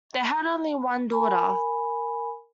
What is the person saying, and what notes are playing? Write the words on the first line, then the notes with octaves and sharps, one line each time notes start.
They had only one daughter.
A#4 G#5 B5